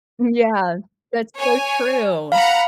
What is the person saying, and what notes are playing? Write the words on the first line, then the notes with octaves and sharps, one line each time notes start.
Yeah, that's so true.
C#5 G#5
F5 F#5 A#5 B5